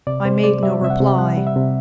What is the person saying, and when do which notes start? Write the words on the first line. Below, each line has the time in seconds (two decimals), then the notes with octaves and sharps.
I made no reply.
0.07 C3 D5
0.25 C3 C5
0.44 G3 D5
0.63 G3 E5
0.82 C3 E5
0.90 F#5
1.00 C3
1.18 G3 F#5
1.37 G3
1.47 E5
1.56 C3